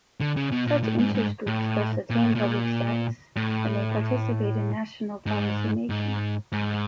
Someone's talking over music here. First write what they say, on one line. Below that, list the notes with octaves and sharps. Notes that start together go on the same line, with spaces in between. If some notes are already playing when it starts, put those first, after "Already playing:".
Such interest groups thus attain public status, and they participate in national policymaking.
D3
C#3
B2
A#2
A2
G#2
G#2
A2
A#2
A2
A#2
A2
G#2
G#2
G#2